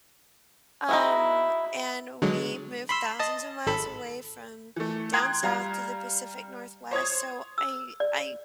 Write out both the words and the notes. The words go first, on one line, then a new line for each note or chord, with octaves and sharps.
um, and we moved thousands of miles away from down south to the Pacific Northwest. So I I
D#4 E4 F#4 G#4
D3 F#3 G#3
B5 C6 E6
D#5 A5
G#1 A4 B5
E3 A3
G5 A#5 C6 D#6 F#6 G#6
G3 F5 A#5
C5 C#5 D#6 G#6
E6
D5